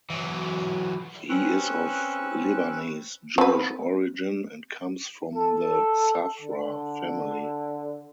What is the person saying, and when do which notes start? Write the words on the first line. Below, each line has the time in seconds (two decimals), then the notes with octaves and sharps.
He is of Lebanese Jewish origin, and comes from the Safra family.
0.10 E3 F#3
1.29 C4 C#4 B4 C#6 E6 F#6
3.38 C4 B4
5.35 A4
6.41 D3